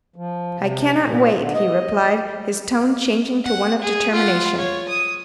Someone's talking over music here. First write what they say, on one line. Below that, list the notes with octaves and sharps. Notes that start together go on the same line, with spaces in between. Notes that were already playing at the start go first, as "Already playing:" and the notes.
"I cannot wait," he replied, his tone changing to one of determination.
F3
C3
A#2
D3
D#5
F#5
G#4
F4 F#5
C#5
D#6